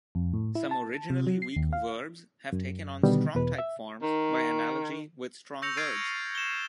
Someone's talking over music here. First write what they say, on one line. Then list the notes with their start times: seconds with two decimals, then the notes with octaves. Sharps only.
Some originally weak verbs have taken on strong-type forms by analogy with strong verbs.
0.15 F2
0.33 A2
0.55 E4
0.71 A5
1.10 C3
1.27 F#3
1.42 C7
1.56 D#2
1.73 F5
2.53 F#2
3.03 B2 D3 D#3 G3 B3
3.35 E2 B2 B4
3.59 E5
4.02 D#3
5.62 C#6 E6 G6 A#6 C#7 F7
5.77 F6 G#6 A6 C7 D7 D#7
6.35 E7 G7